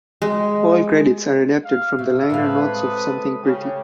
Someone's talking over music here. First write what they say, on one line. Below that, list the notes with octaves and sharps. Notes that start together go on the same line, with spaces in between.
All credits are adapted from the liner notes of "Something Pretty".
G#3
F5
B2 E5
A2 C3 G#3 A4 B4 F5
D#6
C#3 G4